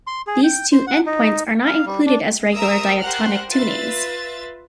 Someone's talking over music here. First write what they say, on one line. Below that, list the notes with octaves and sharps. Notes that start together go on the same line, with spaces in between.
These two end points are not included as regular diatonic tunings.
C6
G#4
G5
C5
F#5
D#4
F5
G3
D4
A#4 C5 E5 A#5 D#6 E6
G4 A#4 C5 F#5 F6 F#6
F4 B4 E5 A6